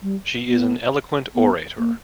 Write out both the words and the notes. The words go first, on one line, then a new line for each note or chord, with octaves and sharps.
She is an eloquent orator.
G3
B3
B3
A#3